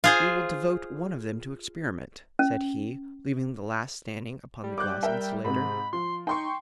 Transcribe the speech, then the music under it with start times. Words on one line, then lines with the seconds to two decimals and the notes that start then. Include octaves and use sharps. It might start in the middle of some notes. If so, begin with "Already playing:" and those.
"We will devote one of them to experiment," said he, leaving the last standing upon the glass insulator.
0.04 F4 G#4 C5
2.39 C#4
4.64 G3
4.78 D6 F#6 G6
5.03 A#4 E5 G5
5.45 G#2 C3 B5
5.93 F3 C6
6.27 D#4 G5 C6 C#6